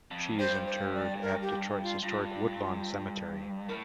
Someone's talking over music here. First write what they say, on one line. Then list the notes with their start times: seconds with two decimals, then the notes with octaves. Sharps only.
She is interred at Detroit's historic Woodlawn Cemetery.
0.11 F2
0.39 G2 C5
0.66 C5
0.94 D5
1.21 A#4
1.42 G4
1.83 F4
2.03 G2 F4
3.68 A2 A#4